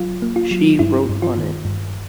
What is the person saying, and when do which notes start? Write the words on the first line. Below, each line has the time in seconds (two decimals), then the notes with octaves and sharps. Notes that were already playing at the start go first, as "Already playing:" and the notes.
She wrote on it.
Already playing: F#3 F4
0.22 A#3
0.36 F4
0.51 F#3
0.79 G2 E4
1.09 G2
1.22 F4
1.37 D#3
1.65 G2